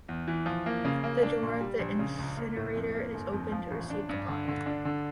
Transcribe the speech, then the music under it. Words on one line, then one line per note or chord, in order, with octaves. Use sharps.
The door of the incinerator is opened to receive the body.
E2
E3
F3
A#3
C#3
A#3
D4
A#2
G3
A#1
C#3
C#2
A#3
A2
F2
A#3
G1
F2
F3
A1
D4
G2
D3
D3
D4
D3